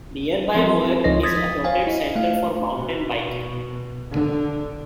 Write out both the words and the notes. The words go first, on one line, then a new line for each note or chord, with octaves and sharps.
Nearby Moab is a noted center for mountain biking.
F3 C4 A4 A#4 C6
C#2 F3 D#4 C#5 D#5 A#6
D#6 G#6 A6 B6
C5 C#5 F5 G#5
E4 D#5
A3 F5
B2
D3